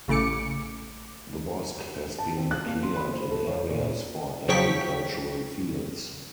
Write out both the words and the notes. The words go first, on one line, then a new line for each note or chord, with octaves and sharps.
The bosque has been cleared in areas for agricultural fields.
A1 C#3 A3 D6 C#7
A5
C4
F#6
A#3
C6
B5
C5
A4
C#5
A#2
C#3 F3 F#3 G5 C#6 B6